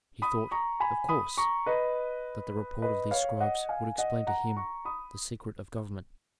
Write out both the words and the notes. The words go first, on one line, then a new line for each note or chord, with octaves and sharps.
He thought, of course, that the report of these scribes would explain to him the secret of government.
B5 D#6
A#5 C#6
G#5 B5
B5 D#6
A#5 C#6
B4 D#5
B4 D#5
C#5 F5
D#5 F#5
F5 G#5
D#5 F#5
F#5 A#5
A#5 C#6
B5 D#6